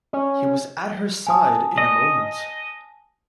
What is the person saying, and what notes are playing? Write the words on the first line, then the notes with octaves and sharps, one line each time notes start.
He was at her side in a moment.
C#4
G#5 A5 D#6
D#5